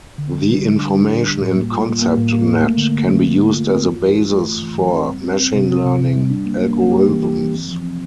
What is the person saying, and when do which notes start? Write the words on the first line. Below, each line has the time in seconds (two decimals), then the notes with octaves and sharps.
The information in ConceptNet can be used as a basis for machine learning algorithms.
0.18 D3
0.32 G3
0.48 G3
0.63 D3
0.79 D4
0.95 D4
1.10 G4
1.25 G3
1.41 A2
1.56 A#3
1.71 F4
1.86 A#3
2.02 A#3
2.17 A2
2.33 A#3
2.47 A#3
2.63 A3
2.78 D3
2.94 D3
3.09 A3
3.24 A3
3.40 A3
3.55 F4
3.70 C4
3.85 F4
4.01 E3
4.16 F4
4.32 A3
4.47 A3
4.63 E3
4.78 E3
4.93 C4
5.08 G3
5.23 C4
5.39 C4
5.54 C3
5.70 C4
5.85 C3
6.00 C3
6.16 G3
6.30 D4
6.46 A#3
6.61 A#3
6.77 A#3
6.92 G4
7.08 E3
7.23 G4
7.38 E3
7.54 C4
7.68 F3
7.84 C4